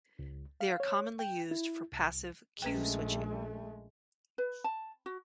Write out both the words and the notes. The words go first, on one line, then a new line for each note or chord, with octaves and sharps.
They are commonly used for passive Q-switching.
C#2
F5
C#5
G5
E4
C2
A#1 G#3 A3 C#4 B4 G5
B4
A5
F#4